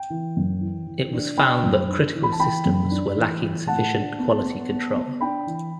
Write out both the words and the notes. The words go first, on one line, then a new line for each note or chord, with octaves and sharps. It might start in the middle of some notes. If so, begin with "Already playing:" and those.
It was found that critical systems were lacking sufficient quality control.
Already playing: G5
E3
F#2
E3
E3
D4
D4 G5 B5
F#2
D4
E3
B5
A5
E3 G5 B5
F#2
D4
E3
E3
A2 F#5 A5
D4
B3
B3
B3
B3
D4 G5 B5
E3